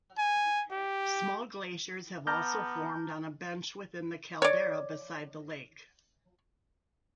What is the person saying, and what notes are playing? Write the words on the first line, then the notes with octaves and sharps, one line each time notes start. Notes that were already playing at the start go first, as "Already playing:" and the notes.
Small glaciers have also formed on a bench within the caldera beside the lake.
G#5
G4
B3 A5 A#5 D6 F6 G6
C#5 D5